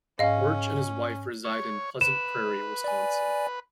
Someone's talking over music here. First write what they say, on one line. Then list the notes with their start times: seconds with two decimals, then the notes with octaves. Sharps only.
Wirch and his wife reside in Pleasant Prairie, Wisconsin.
0.19 G#2 C#4 D#5 F5
1.45 C#5
2.01 B4 E7
2.84 D5 G#5